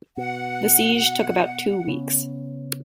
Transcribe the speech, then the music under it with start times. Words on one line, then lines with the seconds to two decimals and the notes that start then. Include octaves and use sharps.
The siege took about two weeks.
0.17 B2 F#5
1.87 C#3 B3 C#4